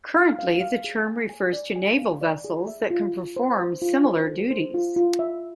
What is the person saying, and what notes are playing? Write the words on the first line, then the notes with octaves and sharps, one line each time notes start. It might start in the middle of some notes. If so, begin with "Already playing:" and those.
Currently the term refers to naval vessels that can perform similar duties.
F5
F5
F5
G#4
G#5
G#5
D5
G#5
F5
D5
G#4
E5
F4
F4
C5
C5
F4
C5
A4
C5
F4
F4
E5